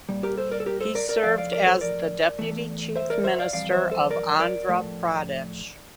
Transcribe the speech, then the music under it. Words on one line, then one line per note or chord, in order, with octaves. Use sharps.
He served as the Deputy Chief Minister of Andhra Pradesh.
A#2 G3
G4 A#4
A4 C5
A#4 D5
A4
G4 A#4
A4 C5
A#4 D5
A#4 D5
A2 F3 A3 D5 F5
D5 F5
A#4 D5
A4 C5
A#4 D5
E2 C3 E3 A3
C5 E5
A#4 D5
C5 E5
D5 F5
F2 E3 G3 D5 F5
C5 E5
A4 C5
A#4 D5
A#4 D5
A2 F3 A3